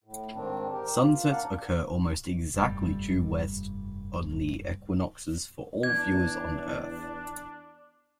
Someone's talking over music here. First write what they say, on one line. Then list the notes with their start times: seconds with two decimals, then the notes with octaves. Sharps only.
Sunsets occur almost exactly due west on the equinoxes for all viewers on Earth.
0.04 A2
0.34 G#2 D#3 C4 D4
0.72 G4 A#4
0.97 F4
1.30 A#3 D4 D5 F5 F#5
2.54 F1 G2 G3
5.83 E2 D4 G#6